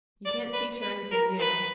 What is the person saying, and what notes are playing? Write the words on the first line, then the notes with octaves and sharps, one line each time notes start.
You can't teach her anything new.
D5
B4
B4
A#4
B4